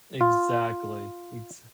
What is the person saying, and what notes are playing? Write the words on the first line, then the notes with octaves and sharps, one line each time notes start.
Exactly. Exa
F4